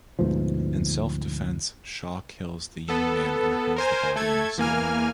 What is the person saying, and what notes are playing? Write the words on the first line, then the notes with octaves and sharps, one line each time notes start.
In self-defense Shaw kills the young man and hides the body in a sewer.
D2 G#2 B2 F3
B3 A4
A#4 C5 G#5
A3 A4 G#6
E2 A#3 G#5 F6